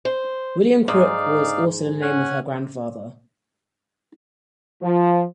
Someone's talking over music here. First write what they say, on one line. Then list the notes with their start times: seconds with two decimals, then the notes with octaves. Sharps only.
William Crook was also the name of her grandfather.
0.05 C5
0.88 G#2 D#4 D5 F5
2.02 C#4 F#5 G#5
4.83 F3